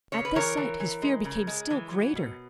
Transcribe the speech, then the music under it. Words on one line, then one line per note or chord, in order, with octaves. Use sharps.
At this sight his fear became still greater.
C#3 C#5
B4
E3 A#4 C#5
E3
E3
G#3
C#3
G#3
E3
F#3
B2